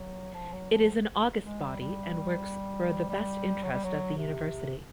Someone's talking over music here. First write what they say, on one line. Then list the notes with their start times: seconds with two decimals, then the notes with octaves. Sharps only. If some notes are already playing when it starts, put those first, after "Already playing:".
It is an august body and works for the best interest of the University.
Already playing: F#3
0.34 F3
0.53 F#3
0.71 F3
1.43 G#3
1.62 G3
1.80 G3
3.09 G3
3.63 F#3
3.73 G3
3.84 F#3
4.18 C3